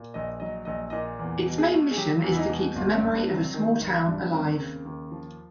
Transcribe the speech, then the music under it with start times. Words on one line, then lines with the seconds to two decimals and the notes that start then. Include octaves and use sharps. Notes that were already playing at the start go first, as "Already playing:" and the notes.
Its main mission is to keep the memory of a small town alive.
Already playing: A#2
0.14 A#1 D#5
0.40 F#3 D#5
0.65 A#1 D#5
0.90 A#2 D#5
1.19 E2
1.46 B2
1.58 G#4
1.71 A3
1.91 G#4
1.97 F#3 G4
2.24 E2
2.32 E4
2.37 D#4
2.50 B2
2.76 G1 F4
2.95 C#4
3.02 G2
3.15 B3
3.29 F#3
3.35 C4
3.54 D#3
3.81 G1
4.07 G2
4.25 B3
4.33 D#2 C4
4.59 C#3
4.85 D#2
5.12 F3